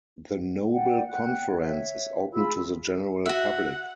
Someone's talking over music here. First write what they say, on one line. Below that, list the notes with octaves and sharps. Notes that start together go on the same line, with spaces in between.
The Noble conference is open to the general public.
D5 F#5 G5
F#5 G5 F#6
C#5 E5
F4 G#4 B5 E6
F#4 E5 F#5